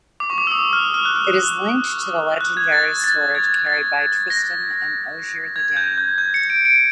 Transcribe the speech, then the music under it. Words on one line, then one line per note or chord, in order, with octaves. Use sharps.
It is linked to the legendary sword carried by Tristan and Ogier the Dane.
D6
C#6
D6
E6
D#6
F6
F6
F#6
F6
F#6
G#6
A6
A6
G#6
A6
A#6
G#6
G6
G6
G6
C#7
D7
D7